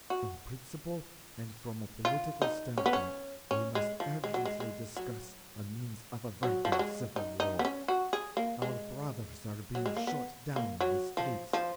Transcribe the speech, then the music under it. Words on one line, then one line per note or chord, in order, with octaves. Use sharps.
On principle and from a political standpoint we must urgently discuss a means of averting civil war. Our brothers are being shot down in the streets!
F#4
F4
D#4
C#4
B3
C#4
C#4
G#3
F3
G#3
F#3
G#3
G#3
F#3
F#3
F3
F#3
G#3
D#4
D#4
B3
C#4
F#4
G#4
A#3
G#3
F#3
G#3
A#3
B3
A#3
F#3
F3
F3